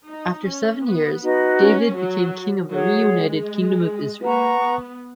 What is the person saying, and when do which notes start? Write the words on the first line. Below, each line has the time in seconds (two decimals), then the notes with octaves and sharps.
After seven years, David became king of a reunited Kingdom of Israel.
0.09 D#4
0.46 C#4
0.84 B3
1.22 D#4 F#4 B4 D#5
1.59 C#4
1.97 F#3
2.72 F#3 G#4 C#5 F#5
3.10 G#3
4.22 A#3 B4 F#5 A#5 C#6
4.60 B3